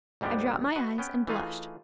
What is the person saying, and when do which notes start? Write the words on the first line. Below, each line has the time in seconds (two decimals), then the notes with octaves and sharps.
I dropped my eyes and blushed.
0.21 D2 G#2 G3 G#3 B3 G4
0.76 F#4 B4 D#5 F#5
0.98 B3 C#4 G5
1.27 E3 A3 D#4 F4 G#4